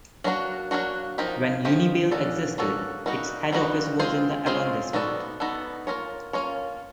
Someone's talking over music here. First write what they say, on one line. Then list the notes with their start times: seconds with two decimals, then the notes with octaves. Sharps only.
When Unibail existed, its head office was in the arrondissement.
0.24 F#3 A#3 D4 F#4
0.71 F#3 A#3 D4 F#4
1.18 F3 A#3 D#4 G4
1.65 F3 A#3 D#4 G4
2.11 A#3 C#4 F#4 A4 D5
2.58 A#3 C#4 F#4 A4 D5
3.06 G3 A#3 D#4 F#4
3.52 G3 A#3 D#4 F#4
3.99 G#3 C4 F4 G#4 C5
4.46 G#3 C4 F4 G#4 C5
4.93 B3 D#4 F#4 A4 D5
5.40 B3 D#4 F#4 A4 D5
5.87 A#3 C#4 F4 A#4 C#5
6.33 A#3 C#4 F4 A#4 C#5